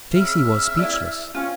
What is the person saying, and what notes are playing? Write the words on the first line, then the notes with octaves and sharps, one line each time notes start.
Stacy was speechless.
C#3 C4 E5 F6
E4 D5
C4 C#4 F4